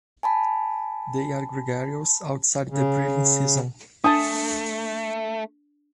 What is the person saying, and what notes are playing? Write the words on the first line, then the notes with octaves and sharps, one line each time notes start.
They are gregarious outside the breeding season.
G#5 A5 B5
C#3
A3 D4 A5 D#6